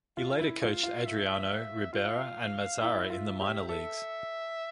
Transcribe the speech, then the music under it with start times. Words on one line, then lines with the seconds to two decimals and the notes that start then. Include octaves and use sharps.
He later coached Adriano, Ribera and Mazara in the minor leagues.
0.17 F4 E5
0.39 E4
0.61 F4 F5
0.83 F4
1.06 E5
1.93 F4 F5
2.81 E4 E5
3.10 F4 E5
3.40 G4 E5
3.69 A4 E5